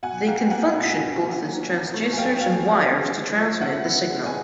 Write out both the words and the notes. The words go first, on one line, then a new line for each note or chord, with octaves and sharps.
They can function both as transducers and wires to transmit the signal.
B2 F#5 G#5
A#3 F5 G5
G3 F#5 G#5
B2
B2
A#3
F#3
C4
A3
G#5
F#3 F5 G5
F#3 F5 G5
C4
B3
G#3
F3
D3 E5 F#5
B3
G#3
G#5